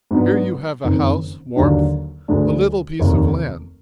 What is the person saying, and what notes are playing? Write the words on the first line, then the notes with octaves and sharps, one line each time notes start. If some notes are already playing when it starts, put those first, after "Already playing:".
Here you have a house, warmth, a little piece of land.
G#2 F#3 B3 D4
F#1 F2 D#3
D#2 D3 F#3 D4
D2 D3 G#3 D4
F1 D#2 D#3